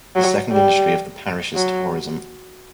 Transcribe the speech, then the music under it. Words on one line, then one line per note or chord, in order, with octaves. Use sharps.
The second industry of the parish is tourism.
F#3
G3
F#3